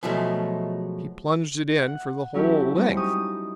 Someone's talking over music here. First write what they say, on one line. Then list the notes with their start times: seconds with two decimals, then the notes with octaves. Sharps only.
He plunged it in for the whole length.
0.03 B2 F3 F#3 G#3 A3
1.81 F#5
2.34 F#3 C#4 E4 G4 A4
2.76 G3 G#3 C4
2.97 D#4 G4 C#6 D#6